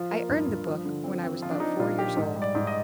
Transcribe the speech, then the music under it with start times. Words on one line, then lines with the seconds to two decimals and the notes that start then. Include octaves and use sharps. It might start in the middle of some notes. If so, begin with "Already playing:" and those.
I earned the book when I was about four years old.
Already playing: F3 F4
0.11 A#3
0.29 G2
0.48 G2
0.67 F3
0.85 D3
1.04 C4
1.24 C4
1.42 F3 F4
1.51 D4
1.60 F3 D#4
1.79 A#2 F4
1.99 F3 G4
2.17 G#2
2.35 G3
2.42 D5
2.55 G#2
2.67 D#5